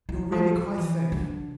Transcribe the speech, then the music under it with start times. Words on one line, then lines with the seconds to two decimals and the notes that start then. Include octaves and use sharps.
You're really quite safe.
0.09 E3
0.32 F3
0.54 F3
0.77 E3
1.12 D3